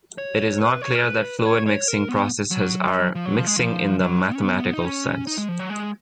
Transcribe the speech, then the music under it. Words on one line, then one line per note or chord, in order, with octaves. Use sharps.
It is not clear that fluid mixing processes are mixing in the mathematical sense.
C#5
B4
C#5
A#4
B4
B4
C#5
C#5
A#4
B3
F#3
F3
F#3
F3
G#3
F3
F#3
C#4
B3
D#4
C#4
D#4
G#3
F3
F#3
G#3